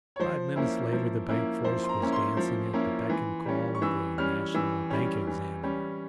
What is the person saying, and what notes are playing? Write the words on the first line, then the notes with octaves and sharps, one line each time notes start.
Five minutes later the bank force was dancing at the beck and call of a national bank examiner.
C#5
F3 C5
A#3 C#4 E4
F3
A#3 C#4 E4
F3 C5
C6
A#5
A#3 C#4 E4
C6
F3
A#3 C#4 E4
E3
G3 C#4
C#6
E3 E6
G3 C#4 F6
E3 E6
G3 C#4
E3
G3 C#4